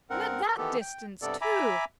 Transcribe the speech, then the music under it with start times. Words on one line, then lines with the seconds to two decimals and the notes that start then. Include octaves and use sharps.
And at that distance, too!
0.10 G2 C4 A#4 F#5
0.57 D#3 E3 B3 G4 A4
0.81 G5
1.22 G2 C3 B3 A4 D5
1.41 E5 G#5 A#5 B5 D6